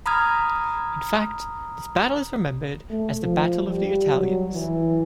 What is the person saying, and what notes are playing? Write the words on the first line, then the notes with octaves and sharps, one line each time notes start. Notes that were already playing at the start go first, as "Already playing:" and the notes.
In fact, this battle is remembered as the "Battle of the Italians".
A#5 B5 D#6 F6 G#6
A3
F3
G3
F#3
E3